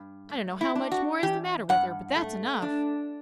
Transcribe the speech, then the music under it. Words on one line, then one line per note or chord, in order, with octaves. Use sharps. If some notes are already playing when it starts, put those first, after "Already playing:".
I don't know how much more is the matter with her, but that's enough.
Already playing: G2
A3
E4
D4
F#4
E3 G4
G2 F#5
A3
D4